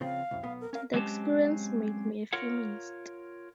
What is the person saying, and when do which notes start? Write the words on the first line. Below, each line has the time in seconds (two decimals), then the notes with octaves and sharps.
The experience made me a feminist.
0.01 C#3 F3 C4 F5
0.31 C2 F#2
0.43 B1 B3
0.61 A#4
0.73 C#4 A#4 F5
0.94 F#3 G#3 C4 C#4 G4 A5
2.33 F4 A#4 C#5 F#5